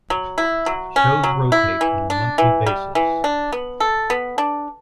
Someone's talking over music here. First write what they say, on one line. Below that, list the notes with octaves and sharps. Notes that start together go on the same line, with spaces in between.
Shows rotate on a monthly basis.
F#3
E4
F#3
C#4
F#3
E4
E3
D4
E3
G3
E3
D4
B3
A4
B3
D4